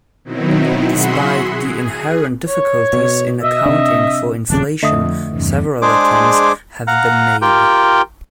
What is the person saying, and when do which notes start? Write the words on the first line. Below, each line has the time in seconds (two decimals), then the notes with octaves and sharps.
Despite the inherent difficulties in accounting for inflation, several attempts have been made.
0.25 B2 D#3 F#3 C4 D#4 E4
0.85 F#4 G#4 E5 F#5 B5 C6
1.58 G#4
2.48 C#5
2.93 B2
3.42 D#5 E5
3.66 C3 D4
4.50 D#1 F2 C#3 D4
4.83 F2 D3 A3 D#5 E5 D#6
5.27 E2 G2 C3
5.82 G#3 D4 G#4 C5 D6
6.87 F5 F#5 A#5
7.42 F4 G4 A#4 G5